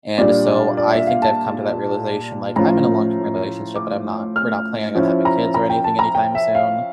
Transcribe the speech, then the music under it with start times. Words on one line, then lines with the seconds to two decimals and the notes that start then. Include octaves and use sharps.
And so, I think I've come to that realization, like, I'm in a long term relationship, but I'm not we're not planning on having kids or anything anytime soon,
0.18 A#2 G3 D4 D5
0.77 D5
0.93 E5
1.07 F5
1.22 A5
2.56 A2 F3 C#4 F4 A#5
3.76 D6
4.36 F6
4.95 F3 C#4 E4
5.25 A#5
5.54 A#5
5.70 G5
5.84 A5
5.99 A#5
6.15 G5
6.35 E5
6.55 F5